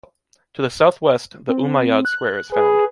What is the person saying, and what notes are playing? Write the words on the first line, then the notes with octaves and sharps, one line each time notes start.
To the southwest, the Umayyad Square is found.
C4
F#6
G#4 B4